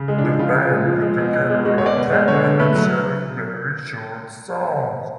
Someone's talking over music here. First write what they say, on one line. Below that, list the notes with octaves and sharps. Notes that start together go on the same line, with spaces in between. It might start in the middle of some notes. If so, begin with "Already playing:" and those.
The band put together a ten-minute set of very short songs.
Already playing: C#3
G#3
F3 D4
C#3 F4
C#3
G#3
F3
G#3
B2
B2
G#3
G#3 F#4
C#5
B2
D5
B2
G#3
D3 C#5
D3
A3 B4
F#3